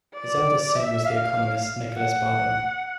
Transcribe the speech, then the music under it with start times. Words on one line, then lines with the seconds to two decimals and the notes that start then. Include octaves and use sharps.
His eldest son was the economist Nicholas Barbon.
0.14 D5
0.75 E5
1.05 F5
1.97 F#5